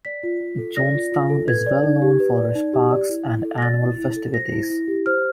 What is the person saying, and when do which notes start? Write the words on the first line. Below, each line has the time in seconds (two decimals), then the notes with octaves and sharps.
Jonestown is well known for its parks and annual festivities.
0.05 D5 B6
0.23 F4
0.40 F4
0.58 A4
0.76 D5 A#6
0.95 F4
1.12 F4
1.30 A4
1.48 B4 G#6
1.66 D5
1.84 D#4
2.02 G4
2.20 B4
2.37 D5
2.55 D#4
2.73 G4
2.91 D5
3.09 E4
3.27 E4
3.44 A4
3.58 A#6
3.62 D5 A6
3.81 E4
3.98 E4
4.16 A4
4.34 C5 A#6
4.52 E4
4.70 E4
4.87 G4
5.06 C5 F6